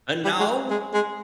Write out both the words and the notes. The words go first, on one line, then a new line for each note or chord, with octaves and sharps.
"And now
G3
G#3
G#3
G#3